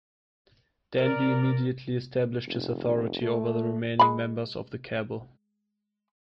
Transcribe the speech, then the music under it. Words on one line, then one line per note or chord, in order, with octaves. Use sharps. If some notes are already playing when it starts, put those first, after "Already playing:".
Danby immediately established his authority over the remaining members of the Cabal.
A#4 D5
F1
A3
G#3 B5